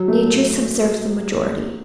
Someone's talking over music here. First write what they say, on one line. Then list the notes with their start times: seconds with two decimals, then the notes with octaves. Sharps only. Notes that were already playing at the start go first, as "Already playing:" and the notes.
Nature subserves the majority.
Already playing: F#3
0.08 A3